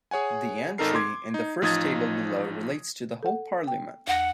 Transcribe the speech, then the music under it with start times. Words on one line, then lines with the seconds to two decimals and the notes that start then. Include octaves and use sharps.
The entry in the first table below relates to the whole Parliament.
0.11 G#4 C#5 F#5 G#5
0.78 G#1 D#4 A4 A#4 C7
0.95 C6 D6 G#6
1.34 D#4
1.62 A1 F3 D#4 D#6 G#6 A6
3.23 A4 F#5
3.67 G5
4.07 E2 F#5 A#6